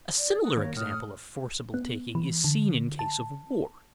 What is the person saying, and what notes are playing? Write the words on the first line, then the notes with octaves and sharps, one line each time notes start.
A similar example of forcible taking is seen in case of war.
D5
F#5 A#5 D#6
D#2 A#4 C#5
A2 F#5 D#6 F6
B3
E3
D3
A5